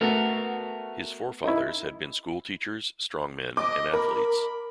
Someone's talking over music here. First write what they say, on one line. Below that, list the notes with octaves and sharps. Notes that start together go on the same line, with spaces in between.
His fore fathers had been school-teachers, strong men and athletes.
A3 B3 F#4 A#4
D#4 E4
D#5 D6
A#4 B5